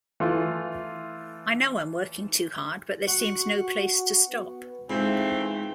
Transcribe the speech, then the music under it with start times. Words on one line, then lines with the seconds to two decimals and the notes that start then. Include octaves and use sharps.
I know I'm working too hard but there seems no place to stop.
0.20 E3 A3 F4
3.07 F#4 F#5 C#6
4.30 B3
4.90 G#2 E3 A3 C4 F4
5.43 B3